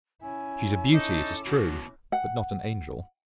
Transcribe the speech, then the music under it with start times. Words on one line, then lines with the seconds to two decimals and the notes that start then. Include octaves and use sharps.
She's a beauty, it is true; but not an angel.'
0.22 C#4 E4 G#5
0.92 D4 D#4 A4 C#6 D6
1.46 B2 D#3 F#4
2.12 F#5